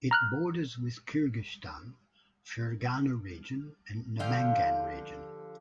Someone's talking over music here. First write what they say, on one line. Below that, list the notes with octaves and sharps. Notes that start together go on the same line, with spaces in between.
It borders with Kyrgyzstan, Fergana Region and Namangan Region.
A#5 F6 F#6
D3 F3 G4 F5